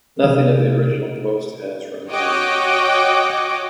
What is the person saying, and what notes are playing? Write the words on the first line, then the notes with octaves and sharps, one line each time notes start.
Nothing of the original post has remained.
C3
F#4 C#5 D#5 G5 D6